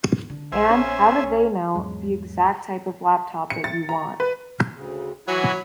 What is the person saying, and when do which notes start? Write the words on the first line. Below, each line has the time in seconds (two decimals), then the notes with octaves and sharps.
And, how did they know the exact type of laptop that you want?
0.06 D#2 G#2
0.30 D3
0.52 A#1 C5 E5 G#5
0.70 C#4
1.23 B1
1.75 E2 G#2 F#3 G#3
3.50 C#7
3.64 A6
3.89 A#5
4.20 B4
4.75 D2 C#3
5.28 E3 F#3 F#4 G#5 B5